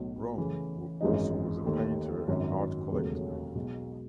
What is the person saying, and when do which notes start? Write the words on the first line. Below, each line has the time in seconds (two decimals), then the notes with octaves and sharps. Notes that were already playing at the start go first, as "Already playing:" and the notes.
Rome also was a painter and art collector.
Already playing: B1 A2 F#3
0.37 C#3 E3 A3
1.01 G#1 F#2 E3 G#3 D#4
1.64 D#2 D#3 A3
2.28 G#1 F#2 D#3 F#3
2.92 E1 D#2 C#3 F#3 A3
3.55 B1 B2 G#3